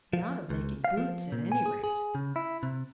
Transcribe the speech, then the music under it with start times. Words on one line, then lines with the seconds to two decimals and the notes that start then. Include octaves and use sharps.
'Not of making boots, at any rate!
0.13 F3
0.50 C#2
0.85 F5
0.97 F3
1.32 A#2
1.52 G#5
1.66 G#4
1.84 G#4
2.15 C#3
2.36 E4
2.63 C3